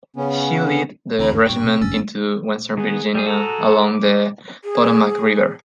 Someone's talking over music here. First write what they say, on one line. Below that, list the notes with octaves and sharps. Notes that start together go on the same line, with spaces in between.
He led the regiment into Western Virginia, along the Potomac River.
C#3 B3 C#4
D2 E3 C4 A#5 B5
G2
G2 A#2 G5 C#6
B2 C4
F1 G2 C#4 E6 A6
A1 B3 D4
D#3 B3 G#4
G3 G#4
F#4 G#4 A4 A#5
D6
G#4